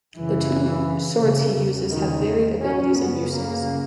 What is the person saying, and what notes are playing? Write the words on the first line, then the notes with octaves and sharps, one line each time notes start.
The two swords he uses have varied abilities and uses.
F#2 C#3 E3
C#3
E2 C#3
D#3
C#4
F#2 C#3 B3
A#3